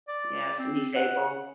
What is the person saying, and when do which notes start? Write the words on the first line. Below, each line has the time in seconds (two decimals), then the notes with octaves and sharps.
yes and he's able
0.08 D5
0.59 C4
0.96 F#5